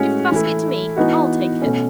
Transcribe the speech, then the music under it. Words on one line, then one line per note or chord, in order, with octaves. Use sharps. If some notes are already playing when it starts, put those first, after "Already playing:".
'Give the basket to me,--I'll take it.'
Already playing: A2 G#3 C#4 F#4
E3 A3 E4
E3 B3 D#4 F#4
B2 A3 C#4